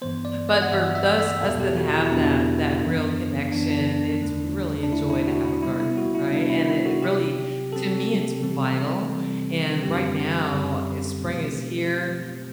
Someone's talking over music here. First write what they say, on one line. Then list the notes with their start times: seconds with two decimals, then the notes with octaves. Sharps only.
but for those us that have that that real connection, it's really a joy to have a garden, right? And it really to me, it's vital, and right now, spring is here,
0.02 G2 E3 B3 C5
0.25 D5
0.49 D5
0.62 F#5
0.72 G2 E3 B3 E5
0.95 E5
1.19 E5
1.42 E2 B2 F#3 B3 A4
1.60 G4
1.77 F#4
1.95 E4
2.05 E4
2.12 E2 B2 F#3 B3 D4
2.82 F#2 E3 B3
3.52 F#2 E3 B3 D4
3.71 D4
4.22 E2 D3 A3
4.83 D4
4.92 E2 D3 A3 E4
5.10 E4
5.27 F#4
5.45 E4
5.62 C3 G3 B3 E4
5.80 E4
5.97 F#4
6.15 E4
6.32 C3 G3 B3 D4
6.50 E4
6.67 E4
6.85 F#4
7.02 C3 F#3 C4 G4
7.72 C3 F#3 C4 A4
8.42 C3 E3 G3 C4
9.13 C3 E3 G3 C4
9.83 F#2 D3 G3 C4 G4
10.53 F#2 D3 G3 C4
11.23 B2 F#3 A3 C4